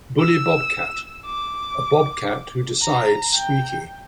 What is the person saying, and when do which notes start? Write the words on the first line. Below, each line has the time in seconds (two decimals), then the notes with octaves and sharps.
Bully Bobcat: a bobcat who decides Squeaky.
0.21 E6
1.26 D6
2.83 A#5
3.35 G5